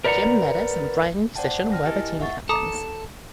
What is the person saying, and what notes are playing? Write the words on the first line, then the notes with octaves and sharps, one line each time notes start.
Jim Medes and Brian Musician were the team captains.
A#4 B4 D5 D#5 F#5 A#5
C5 D5 F#5 G5 A5
G5 A5 F6 A#6
E4 G4 A#4 D#5 G#5
E5 F#5 C#6 A6
A4 A#5 D6 D#6